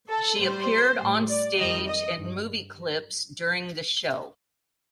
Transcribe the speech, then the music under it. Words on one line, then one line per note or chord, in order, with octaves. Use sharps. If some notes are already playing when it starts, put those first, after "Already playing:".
She appeared on stage and movie clips during the show.
A4
A2 G3 C5
A2 G3
D5
F2 D#3 G3 D#5
D#5
G2